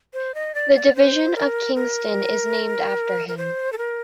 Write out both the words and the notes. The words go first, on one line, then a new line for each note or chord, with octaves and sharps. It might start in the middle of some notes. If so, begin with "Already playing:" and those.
The Division of Kingston is named after him.
C5
D#5
D5
D5
C5
A#4
A#4
A#4
C5
A4
A#4